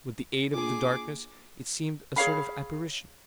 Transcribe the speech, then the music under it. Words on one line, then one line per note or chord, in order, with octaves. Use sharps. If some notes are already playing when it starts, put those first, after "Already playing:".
With the aid of the darkness, it seemed a sort of apparition.
A#3 D4 F4 G#4 D6
G#4 C#5 F5 B5